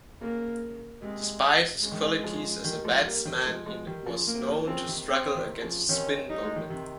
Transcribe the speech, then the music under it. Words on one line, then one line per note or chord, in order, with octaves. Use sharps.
Despite his qualities as a batsman, he was known to struggle against spin bowling.
C#3 A#3
C3 G#3
C#3 G#3
D#3
C#3
C#3 F3
D#3 G3
F3 G#3
G3 A#3
D#3 G3
F3 G#3
F3 G#3
D#3 G3
C#3 F3
A#3
G3
C#3 F3
C#3 F3 C4
C3 D#3
C4
C3 D#3
C#3 F3
C3 D#3 C#4
G3 D#4
G#3
D#3 G3
C3 D#3